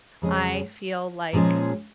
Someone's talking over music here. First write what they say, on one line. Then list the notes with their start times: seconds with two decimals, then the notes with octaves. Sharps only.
I feel like
0.22 F2 C#3 G#3 C#4 G#4
1.33 A#2 F3 G#3 C#4 G#4